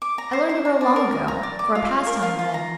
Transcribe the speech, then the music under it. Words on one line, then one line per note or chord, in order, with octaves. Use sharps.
I learned to row long ago--for a pastime then.
D6
A#5
C5
C5
A#5
D5
A#4
A#4
A#5
D5
D6
F4
F5
A#4
F4
F4
A#5